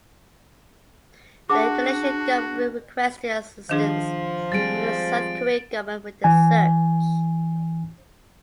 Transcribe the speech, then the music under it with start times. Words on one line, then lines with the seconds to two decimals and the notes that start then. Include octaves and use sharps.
The Indonesian government requested assistance from the South Korean government with the search.
1.50 D4 F#4 G#4 F#5 A5 D6
3.69 D#3 F3 D4 G#4
4.52 G3 G#3 C4 A6 D7
6.24 E3 G#5